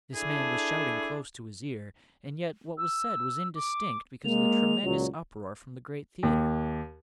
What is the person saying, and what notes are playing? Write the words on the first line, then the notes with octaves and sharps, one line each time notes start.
This man was shouting close to his ear and yet what was said was indistinct because of the tremendous uproar from the great theatre.
D4 E4 G#4 A4
E6
D6
G#3 A#3 F7
C#2 A#2 F#3
D#2